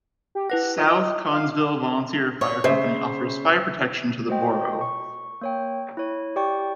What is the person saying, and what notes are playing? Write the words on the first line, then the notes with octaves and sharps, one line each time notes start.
South Connellsville Volunteer Fire Company offers fire protection to the borough.
G4
E4 B4 F#5 A#6
F4 D#5
F5
C#5
C#3 C5 E5
F#4 C5 D#5 G5
C#6
A#3 C#5 G5
E4 C#5
G4 D5 G5 C#6